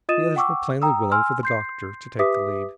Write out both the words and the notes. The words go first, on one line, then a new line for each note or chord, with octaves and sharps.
The others were plainly willing for the doctor to take the lead.
F4 D#5 D#6 A6 D#7 E7
F#5 G5 C#6 D6 E6
G5 A#5 D#6 E6
G#5 C6 E6 F6
C6 G6 C7
G4 B4 E5 D6 D#6 B6